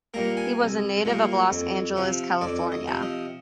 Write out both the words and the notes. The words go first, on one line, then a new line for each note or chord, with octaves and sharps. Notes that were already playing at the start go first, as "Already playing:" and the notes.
He was a native of Los Angeles, California.
A#2 G3 A#3 A#5
G#5
C2
A#2 G3 A#3
F2
C3 F3
F2 D5
D#5
C3 F3
D#5